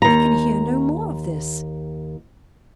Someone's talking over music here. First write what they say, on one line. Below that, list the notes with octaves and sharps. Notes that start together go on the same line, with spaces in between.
I can hear no more of this.
D#2 A#5